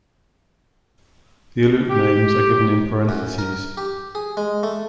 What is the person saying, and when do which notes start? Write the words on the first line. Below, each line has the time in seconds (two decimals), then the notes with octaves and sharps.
The Aleut names are given in parentheses.
1.90 G4
3.09 F#2
3.38 A#4
3.77 G4
4.15 G#4
4.37 G#3
4.63 A3